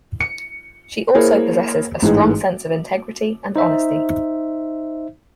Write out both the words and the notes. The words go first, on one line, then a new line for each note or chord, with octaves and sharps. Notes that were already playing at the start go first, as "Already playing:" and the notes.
She also possesses a strong sense of integrity and honesty.
C#7
A#3 E4 G#4 A#4 C5 C#5
A1 G#2 E3 D#4 G#4
D#4 C5 E5